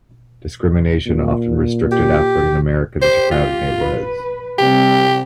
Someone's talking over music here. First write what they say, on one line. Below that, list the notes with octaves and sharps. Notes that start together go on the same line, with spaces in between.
Discrimination often restricted African Americans to crowded neighborhoods.
A#2
G4
G4 C5
F4
B4
C3 G3 C4 G4